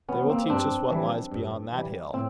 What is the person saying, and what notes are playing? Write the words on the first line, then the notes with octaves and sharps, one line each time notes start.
They will teach us what lies beyond that hill.
E3 G3 B3 C#4
A#3 C4
G2 C4 D4
E3 G3
G2
E3 G3
A2 C4